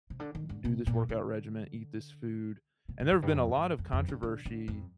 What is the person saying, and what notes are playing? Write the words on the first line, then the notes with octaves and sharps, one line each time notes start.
do this workout regimen, eat this food." And there have been a lot of controversy
C3
D3
D#3
D3
C3
A#2
D3
C3
G2
F2
G2
F2
G2
F2
F2
D3
D3
D3
F2